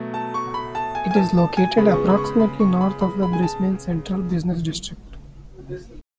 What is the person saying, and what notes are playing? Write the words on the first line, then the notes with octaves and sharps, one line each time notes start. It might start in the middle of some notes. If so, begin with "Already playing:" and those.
It is located approximately north of the Brisbane central business district.
Already playing: B2 F#3 A3
A5
C#6
B5
A5
G#5
G#5
A5
A5
G#5
C#3 G#3 B3 B5
C#6
B5
C#6
B5
B5
C#6
B5
B5
B5
G#5
A5